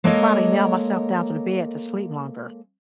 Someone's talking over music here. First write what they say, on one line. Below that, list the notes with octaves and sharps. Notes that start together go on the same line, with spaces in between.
probably nail myself down to the bed to sleep longer.
G#3 A#3 A4 A#4 C#5 D#5